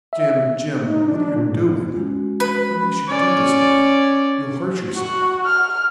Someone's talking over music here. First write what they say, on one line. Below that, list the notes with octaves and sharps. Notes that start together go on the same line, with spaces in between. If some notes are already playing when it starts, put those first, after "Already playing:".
"Jim--Jim--what are you doing--what makes you do this way--you'll hurt yerself."
E5
D#4
D4
A#2
G#2
G#3 C#4 F#4
B4
C#4 D5
F#4
F6